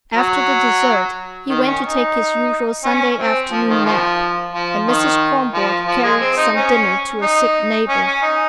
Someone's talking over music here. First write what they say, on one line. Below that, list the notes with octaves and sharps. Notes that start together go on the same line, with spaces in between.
After the dessert he went to take his usual Sunday afternoon nap, and Mrs. Kronborg carried some dinner to a sick neighbor.
F#3
D#3
C#4
D#4
C#4
C4
F3
D#3
F3
F3
D#3
F3
F3
G#3
C4
D#4
C#4
D#4
C#4
C#4
D#4